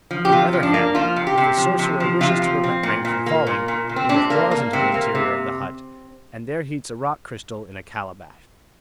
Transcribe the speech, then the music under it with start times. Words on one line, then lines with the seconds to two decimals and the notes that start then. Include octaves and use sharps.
On the other hand, if the sorcerer wishes to prevent rain from falling, he withdraws into the interior of the hut, and there heats a rock-crystal in a calabash.
0.11 F3
0.25 G4
0.31 C3 F4
0.53 F3
0.63 D4
0.74 A#3
0.95 F3 F4
1.16 C3
1.27 G4
1.38 C3
1.57 F3
1.79 C3
2.00 F3
2.21 C3 F4
2.42 F3
2.63 C4
2.83 A#2
3.05 A#2
3.26 A#3
3.47 A#2
3.68 A#2
3.89 A#2
3.96 C4
4.09 C3 D4
4.30 A#3
4.51 A#3
4.73 C3 C4
4.94 A#3
5.15 C3